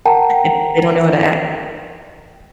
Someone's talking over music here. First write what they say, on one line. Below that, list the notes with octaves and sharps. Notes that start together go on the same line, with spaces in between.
eh, they don't know how to act.
A#4 F#5 G5 A5 A#5